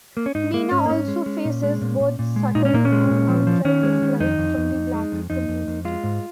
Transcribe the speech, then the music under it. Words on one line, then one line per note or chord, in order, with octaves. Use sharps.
Mina also faces both subtle and outright dislike from the Black community.
A#3
C#4
G#2 D#4
G#3 A#3
G#2 C#4
A#3
G#2 C#4
G#3
G#3
A#2
G#3
A#2
A#2
A#2
G#3
A#2 D#4
C#4
A#2 A#3
C#4
G#3
A#2
F3
F3
D#3 C#4
G#3
D#3
F2 D#4
F2
F2
F2
G#3
F2
F2 D#4
F2
F2
G#3 F4
G#2